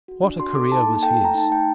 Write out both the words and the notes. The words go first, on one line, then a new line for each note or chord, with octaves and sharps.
What a career was his!
F#4
D4
F#4 C6
A4 D6
D#4 A5
A#3
A5
A4 G5
A3
A#5
D#4 A5
A3 G5